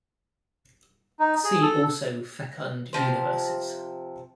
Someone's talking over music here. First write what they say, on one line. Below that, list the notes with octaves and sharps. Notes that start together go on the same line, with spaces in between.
See also Fecund universes.
D#4
G#4
A4
C3 F3 C5